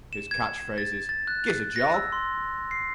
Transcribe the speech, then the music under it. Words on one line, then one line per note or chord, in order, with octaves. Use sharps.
His catchphrases, Gizza' job!
E7
G#6
A6
A6
F#6
A#6
E6
C6
C7